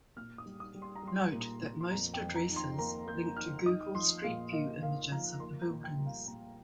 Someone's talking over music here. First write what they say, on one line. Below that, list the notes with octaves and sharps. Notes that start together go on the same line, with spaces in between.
Note that most addresses link to Google Street View images of the buildings.
A#2 F6
D#6
G3
D#6
G3
C6
A#5
G3 C6
A#2
A#2
C6
F2 A#5
G5
F2
A#5
D#3
C6
A#3 A#5
A#3 G6
D#3 F6
D#4 D#6
F3 C6
A#2 F5
A#3 D#5
A#3 F5
F3 A#5
A#3 C6
A#5
A#2
G5
G3
F5
A#2 A#5